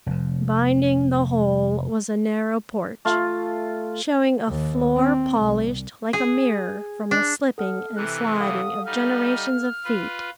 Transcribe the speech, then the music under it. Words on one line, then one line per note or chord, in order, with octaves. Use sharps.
Binding the whole was a narrow porch, showing a floor polished like a mirror from the slipping and sliding of generations of feet.
F1 F2
A3 F4
D#2
C4
C2
G#4
D4
A4 F#5 F6
C3 E3 F#6
A4 F5 F#5 D#6
G3 D#4 F6
F4 B4